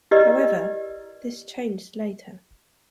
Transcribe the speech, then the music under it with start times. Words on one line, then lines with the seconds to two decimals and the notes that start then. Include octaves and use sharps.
However, this changed later.
0.11 E4 G4 A#4 B4 D5 D#5